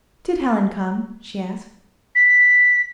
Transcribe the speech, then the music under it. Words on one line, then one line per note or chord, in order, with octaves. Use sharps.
"Did Helen come?" she asked.
B6